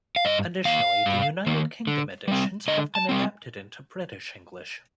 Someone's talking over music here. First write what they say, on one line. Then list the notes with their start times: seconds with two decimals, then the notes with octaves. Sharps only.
Additionally, the United Kingdom editions have been adapted into British English.
0.16 F5
0.25 G2 D#5
0.65 D#3 A#3 F5
1.06 G2
1.46 D#3 A#3
1.87 D3
2.28 G3 C4
2.68 D3 D#5
2.95 A5
3.09 G3 C4